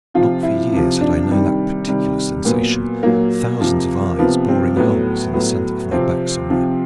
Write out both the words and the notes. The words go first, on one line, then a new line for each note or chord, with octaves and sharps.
Not for years had I known that particular sensation--thousands of eyes, boring holes in the center of my back somewhere.
C3 F3 F4
E4
C3 F3
D4
C3 D#3 G3
C3 D#3 G3
A#2 F#3 B3
A#2 F#3 A#3
C3 F3
C3 F3 B3
C4
A2 F#3 B3
A2 F#3 B3
C3 F3 C4
C3 F3